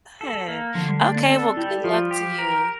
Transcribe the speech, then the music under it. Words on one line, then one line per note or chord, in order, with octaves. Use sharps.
fun. Okay, well, good luck to you.
A4
A#3
D3 F3
G3
A3 D4
A#3
C4 A4
G3 E4
G4
F3 F4
G4
A#4